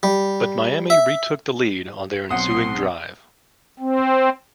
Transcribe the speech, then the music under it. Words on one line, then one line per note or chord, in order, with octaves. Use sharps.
But Miami retook the lead on their ensuing drive.
G3
E5
B1 C4 F#5 C6 D#6
C4